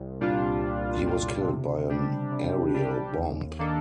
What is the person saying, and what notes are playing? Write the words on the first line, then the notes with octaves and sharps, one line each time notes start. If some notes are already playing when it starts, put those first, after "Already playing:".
He was killed by an aerial bomb.
Already playing: C2
A#2 G3 D4 F4
C2
A#2 G3 D4 F4
C3
G3 D4 G4
C3
G3 D4 G4
D#2
D#3 A#3 D4 A4